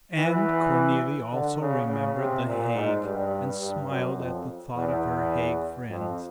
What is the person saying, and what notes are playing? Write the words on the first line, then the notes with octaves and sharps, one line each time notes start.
And Cornelie also remembered the Hague and smiled at the thought of her Hague friends.
E3
D3
C#3
C#3
C3
A#2
G#2
G2
G2
F#2
F2
E2
F2